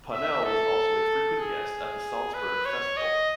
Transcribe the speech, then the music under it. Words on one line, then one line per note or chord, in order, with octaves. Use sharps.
Ponnelle also was a frequent guest at the Salzburg Festival.
E5
A4
G#4
B4
C#5
D#5